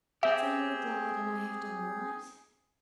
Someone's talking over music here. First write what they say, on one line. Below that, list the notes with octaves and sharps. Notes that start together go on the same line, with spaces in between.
"So you are glad and I have done right?"
C4 G4 G#4 E5